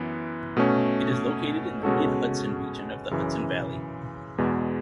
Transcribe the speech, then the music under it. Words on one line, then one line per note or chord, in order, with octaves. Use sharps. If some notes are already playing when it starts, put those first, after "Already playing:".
It is located in the Mid-Hudson Region of the Hudson Valley.
Already playing: F#2 E3 B3 E4
B2 A3 C#4
B2 G#3 C#4 F#4 A4
F#2 C#3 E3
E2 B2 G#3